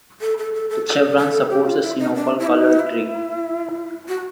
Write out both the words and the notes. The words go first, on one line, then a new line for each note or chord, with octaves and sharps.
The chevron supports a sinople coloured tree.
A4
A4
A4
A4
A4
A4
G4
F4
E4
D#4
D4
E4
D#4
E4
F#4